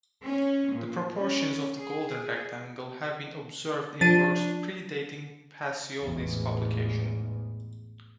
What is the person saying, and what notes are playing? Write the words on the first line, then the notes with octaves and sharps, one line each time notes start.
The proportions of the golden rectangle have been observed in works predating Pacioli's publication.
C#4
A#2
C#4
G#4
F3 D4 A6 D#7
A1 E2 G#2